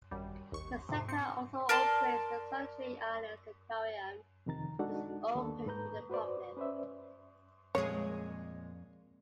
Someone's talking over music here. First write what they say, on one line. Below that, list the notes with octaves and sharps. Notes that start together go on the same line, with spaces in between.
The Centre also operates the Solitary Islands Aquarium which is open to the public.
G#1 F#2 G3
G#1 D#2 C#6
F2 G#2 C3
C4 C#7
A#4 D5 A5 C6
F2 C3 D#3 A#5 A6
G#3 D4 D#4 F#4 A4 F#5
D#2 A#3 B3 D4 A4
G#2 A4 B4 A#5 G6
F#4 B4 C5 D5
C#4 B4 C5 D5 E5
F2 A#2 G#3 G#4 C#5